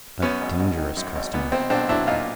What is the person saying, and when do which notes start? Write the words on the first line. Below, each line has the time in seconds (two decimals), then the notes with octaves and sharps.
"A dangerous customer," thought he.
0.22 F#2 B3 C#4
0.41 G#1
0.60 G#1
0.78 D#3
0.97 F#2
1.15 G#1
1.34 A#2 B3
1.52 B1 C4
1.70 B1 C4 D4
1.89 F#3 D4 E4
2.07 A#2 D#4 F4